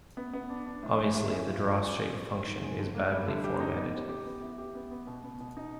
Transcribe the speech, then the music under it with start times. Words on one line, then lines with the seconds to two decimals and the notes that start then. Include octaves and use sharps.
Obviously, the DrawShape function is badly formatted.
0.17 B3
0.33 B3
0.50 D4
0.66 D4
0.83 A2
0.99 G#3
1.15 A2
1.31 A2
1.48 F4
1.64 C#4
1.81 C#4
1.96 C#4
2.13 C4
2.29 C4
2.46 D#3
2.63 G#3
2.79 D3
2.95 A#3
3.11 G3
3.28 D3
3.44 G4
3.60 D#4
3.76 B3
3.94 G4
4.09 G4
4.26 B3
4.42 E4
4.58 G4
4.75 B3
4.91 B3
5.07 B2
5.24 B3
5.41 B2
5.57 D#4